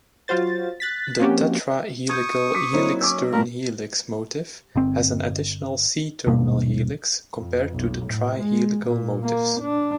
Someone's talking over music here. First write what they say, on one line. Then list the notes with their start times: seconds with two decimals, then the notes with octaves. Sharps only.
The tetra-helical helix-turn-helix motif has an additional C-terminal helix compared to the tri-helical motifs.
0.28 F#3 F4 F#4 C5 A6
0.80 F#6 A6 B6
1.19 F3 A#3 C4 C#4 F#4 G4
2.09 C#6 D#6 G6 G#6
2.54 D6 B6 C#7
2.73 F#3 A#3 C4 D#4 E4 C5
3.01 C#4 D6 E6
3.32 A2 G3 A3 F4 A#4
4.76 G1 C4
6.27 D#1 G2 B2 A#3
7.37 F2
7.74 B1
8.06 A2
8.40 G#3
8.85 A#2
9.23 A#3
9.61 D4